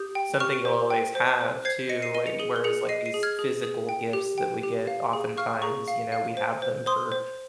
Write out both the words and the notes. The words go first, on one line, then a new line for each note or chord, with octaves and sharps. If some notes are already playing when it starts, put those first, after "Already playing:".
Something you'll always have too, we whereas like these physical gifts that we get oftentimes, you know, we have them for,
Already playing: G4 D#6 G6
G5
G4 C#6 F6
C5
G5
C5
C5
C5 G#6 C7
D#5 A#6 C#7
C7 D#7
D#5 D#7 G7
C#7 F7
G#4 D#7 G7
G7
G#4 C#7 F7
D#5 C7 D#7
C7 D#7
G#4
F6 G#6
G#4
G#4
G5
G4
G5
G4
F5
G#4
F5 C#6 F6
G#4 A#5 C#6
F5
F5
C5
C5
C5 C6 D#6
C5